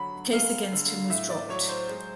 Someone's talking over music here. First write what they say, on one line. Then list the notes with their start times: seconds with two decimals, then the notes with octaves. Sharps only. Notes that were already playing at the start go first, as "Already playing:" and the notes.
The case against him was dropped.
Already playing: D3 F#3 B5
0.33 G#3 F5
0.72 D3
1.10 A2 E5
1.30 D5
1.49 F#3 C#5
1.69 C5
1.89 G#3